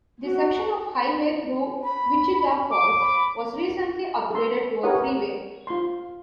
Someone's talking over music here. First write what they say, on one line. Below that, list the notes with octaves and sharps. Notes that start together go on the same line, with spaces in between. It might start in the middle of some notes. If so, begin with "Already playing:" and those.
The section of highway through Wichita Falls was recently upgraded to a freeway.
F#4
B5
D6
B5
A4 C6
G4 A#4 B4 C#5 F#5 D#6
F4 C6